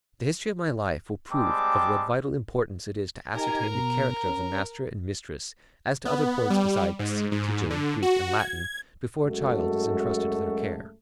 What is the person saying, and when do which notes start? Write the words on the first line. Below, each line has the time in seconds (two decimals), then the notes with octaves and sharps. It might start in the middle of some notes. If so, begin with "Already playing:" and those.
The history of my life will prove of what vital importance it is to ascertain the character of the master and mistress as to other points besides teaching Greek and Latin, before a child is intrusted to their care.
1.31 G3 G#3 C4 G5 A5 D6
3.35 D#4 G4 A#4 G#5 A#5
3.75 B2
4.26 C#4
6.05 B3
6.50 G3
6.99 G#2
7.32 G#2
7.70 D3
8.02 F#4
8.39 G#6
9.26 F#2 G#3 A3 F#4 A4